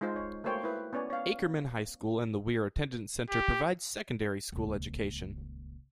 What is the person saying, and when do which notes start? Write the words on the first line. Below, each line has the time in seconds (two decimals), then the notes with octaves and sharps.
Ackerman High School and the Weir Attendance Center provide secondary school education.
0.01 G#3 D#4 F4 C5
0.16 C#5
0.44 A3 A#3 F#4 C5 C#5 G5
0.64 E4 B4
0.93 B3 C#4 C#5 D5 G#5
1.10 C#5 F5
3.30 G4
4.52 D#1 C#2